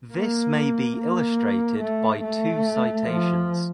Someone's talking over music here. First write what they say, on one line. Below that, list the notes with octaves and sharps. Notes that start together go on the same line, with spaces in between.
This may be illustrated by two citations.
A#3
A#3
A3
A3
F3